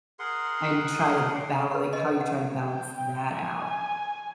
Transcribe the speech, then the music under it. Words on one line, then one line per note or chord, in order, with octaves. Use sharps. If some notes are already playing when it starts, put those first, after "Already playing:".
and try to bal like, how you try to balance that out.
G#4 A#4 F#5 C6
D6
B4
D#5
B4
F#5
G5
G#5